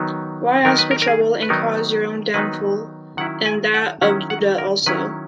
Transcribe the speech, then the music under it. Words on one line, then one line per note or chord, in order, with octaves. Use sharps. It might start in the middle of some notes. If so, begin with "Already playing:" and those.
Why ask for trouble and cause your own downfall and that of Judah also?
Already playing: D#3 F#3 B3 D#4
D#3 F#3 B3 D#4 A#4
B4
A#4
A#4
G#4
B4
D#3 F#3 B3 D#4 A#4
D#3 F#3 B3 D#4 B4
D#3 F#3 C#4 E4 F#5
G#5
F#5
D#3 F#3 C#4 E4 F#5
F#5
A#4
D#3 F#3 C#4 E4 B4